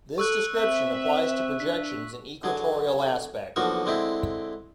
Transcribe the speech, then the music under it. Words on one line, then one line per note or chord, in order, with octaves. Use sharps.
This description applies to projections in equatorial aspect.
A4 C#6 E6 F#6
C4 E5
D4 B6
D3 F#3 G#4
B1 D3 F3 A#3 F#4 C#6
D3 G#3 C4 E4